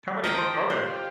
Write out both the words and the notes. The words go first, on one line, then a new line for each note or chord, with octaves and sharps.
How many books are there?
D#3 C5 D#5 G5 A5 A#5 F6
F4 G4 C5